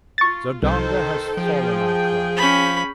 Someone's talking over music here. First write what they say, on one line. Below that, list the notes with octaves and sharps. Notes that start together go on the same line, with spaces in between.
"Zodanga has fallen," I cried.
F4 C#6 A6
C2 D#3 A4 C5
F3 G#4 G5
C#4 B5